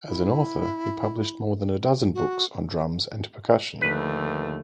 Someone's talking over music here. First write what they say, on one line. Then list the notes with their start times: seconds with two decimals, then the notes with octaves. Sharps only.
As an author, he published more than a dozen books on drums and percussion.
0.07 E4
2.14 F#4
3.81 D#2 D3 F3 A3 B4